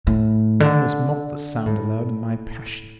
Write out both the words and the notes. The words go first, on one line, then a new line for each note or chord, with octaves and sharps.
I almost mocked the sound aloud in my passion.
A2
D3
A2